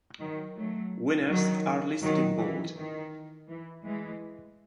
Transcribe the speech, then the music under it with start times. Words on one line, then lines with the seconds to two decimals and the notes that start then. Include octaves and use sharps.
Winners are listed in bold.
0.20 D#3 F#3
0.56 F#3 A3
1.30 D#3 F#3
2.02 D#3 F#3
2.39 E3
2.76 D#3
3.49 E3
3.85 E3 G#3